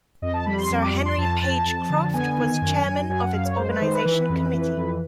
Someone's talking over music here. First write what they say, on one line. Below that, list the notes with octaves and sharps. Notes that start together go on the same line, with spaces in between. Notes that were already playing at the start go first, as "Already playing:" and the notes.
Sir Henry Page Croft was chairman of its organisation committee.
F2 D#5
A5
G3 B5
C6
F2
D6
F2
C6
F2 A5
F2
F2
D3
B3 G#5
D#3
F#2
F#2
F#2 G#5
F#5
F#2 F5
C#5
G#3 C5
B4
D#3 C5
B4
E3
F2
E3
F2